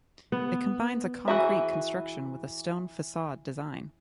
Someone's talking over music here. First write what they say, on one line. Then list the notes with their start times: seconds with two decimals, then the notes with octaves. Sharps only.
It combines a concrete construction with a stone facade design.
0.32 B3
1.28 E3 E4 F#4 G#4 E5